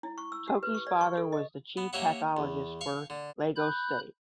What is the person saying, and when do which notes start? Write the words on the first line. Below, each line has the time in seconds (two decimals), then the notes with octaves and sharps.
Toki’s father was the chief pathologist for Lagos state.
0.03 E4
0.18 C#6
0.32 E6
0.48 G4
0.63 B4
0.74 C#6
0.87 D5
1.01 C#6
1.17 A4
1.32 D#5
1.77 B3
1.93 A#3 C#4 G4 C#5 E5 F#5
2.37 E2
2.81 F5 C#6
3.10 D3
3.56 B5 F#6 G6